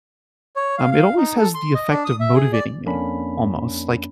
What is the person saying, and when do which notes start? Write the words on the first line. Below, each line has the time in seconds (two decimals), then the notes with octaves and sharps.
um, it always has the effect of motivating me almost. Like,
0.56 C#5
0.78 F5
0.92 F5
1.17 D#4
1.37 A4
1.55 C6
1.75 D#5
1.90 D4
2.05 D#6
2.20 E5
2.34 G#4
2.53 D5
2.86 F2 A#3 C#4 D4 B5